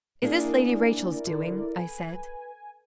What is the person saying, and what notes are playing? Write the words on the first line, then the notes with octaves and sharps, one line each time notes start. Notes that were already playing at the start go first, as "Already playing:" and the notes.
"Is this Lady Rachel's doing?" I said.
A#3 D4 E4 G#4 A#4 D5
D3
B4 G#5